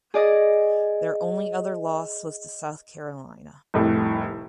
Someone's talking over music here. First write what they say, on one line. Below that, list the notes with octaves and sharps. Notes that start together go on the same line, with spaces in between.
Their only other loss was to South Carolina.
G#4 D5 D#5
F1 C2 A2